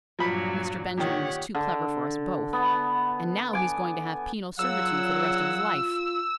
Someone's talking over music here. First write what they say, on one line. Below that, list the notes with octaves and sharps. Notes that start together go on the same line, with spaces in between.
Mr. Benjamin was too clever for us both, and now he is going to have penal servitude for the rest of his life.
G2 A#2 F3 F#3 B5
A#2 D#3 G4 C#5 F#5
D3
B3
G#5 D6
A#2 C#3 F#3 F4 F#5 E6